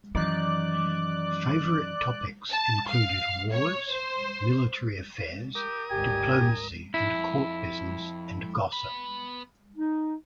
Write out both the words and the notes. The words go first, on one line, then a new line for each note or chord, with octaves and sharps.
Favorite topics included wars, military affairs, diplomacy, and court business and gossip.
F#2 D#3 E3 D#4 D5 F#6
A5
F5
C#5
C5
G4 A#4 D#6
G#1 D2 G4 G#5
F2 E4
B3 B5
D#4